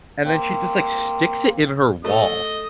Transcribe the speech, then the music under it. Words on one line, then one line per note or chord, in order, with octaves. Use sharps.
and then she just, like, sticks it in her wall.
A#3 C4
A3 D#5 D#6